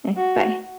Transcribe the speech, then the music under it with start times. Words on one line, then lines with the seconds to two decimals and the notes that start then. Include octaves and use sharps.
Mm, bye.
0.17 F#4